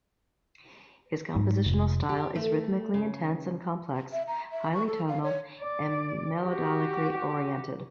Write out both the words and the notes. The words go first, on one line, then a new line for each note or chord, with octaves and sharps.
His compositional style is rhythmically intense and complex, highly tonal and melodically-oriented.
G#2
F1
G4
A3
C#3
E5
A#5
E5
C#6
A4
F5
C#5
D5
F#4 G4